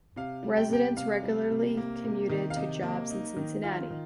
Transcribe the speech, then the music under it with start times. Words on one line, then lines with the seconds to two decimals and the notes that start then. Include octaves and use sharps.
Residents regularly commuted to jobs in Cincinnati.
0.16 C3 F5
0.43 G3
0.57 G5
0.70 C3 G5
0.97 C3 F5
1.23 G3
1.51 C3
1.77 A#3
2.04 C3
2.29 D#3
2.50 F5
2.56 C3 D#5
2.83 A#3
3.11 D#4
3.36 D#3
3.63 F4
3.90 D#3